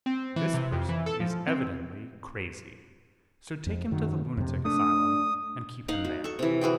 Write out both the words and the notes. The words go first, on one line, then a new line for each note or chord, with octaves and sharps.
"This person is evidently crazy; so take him to the lunatic asylum and keep him there."
C4
E3
C3
F2
E3
A4
F3
C4
F2
F#2 D#3 F#3
F2 C3
A3 D4 D#6
D#4 F5 F#5
F#4
A4 C#6
C3 E3
E3 F#4 G#4 G5